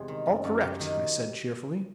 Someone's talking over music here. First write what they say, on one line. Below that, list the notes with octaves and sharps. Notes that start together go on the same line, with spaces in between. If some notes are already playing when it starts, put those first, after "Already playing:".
"All correct," I said cheerfully.
Already playing: E2 C3 G#3
D#3
F#2
F#2
F#3 G4
D#3